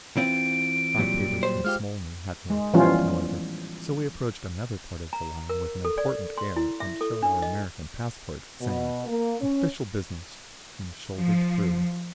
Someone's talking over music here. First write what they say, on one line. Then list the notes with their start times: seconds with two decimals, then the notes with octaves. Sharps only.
Our papers from Smolny had no effect, however, so we approached another part of the line with an important air and showed our American passports, saying "Official business!" and shouldered through.
0.17 E3 C4 F4 D7
0.99 A#2 F#3 G3
1.43 C5
1.64 G#3 F4 G4 F6
2.50 G#3
2.74 E3 F3 G3 B3 C#4 F4
5.13 A#5
5.49 A#4
5.85 A4
5.98 D5
6.38 C6
6.56 E4
6.80 E5
7.01 A4
7.22 D4
7.42 D#5
8.60 B2
9.07 A#3
9.40 C#4
11.15 F3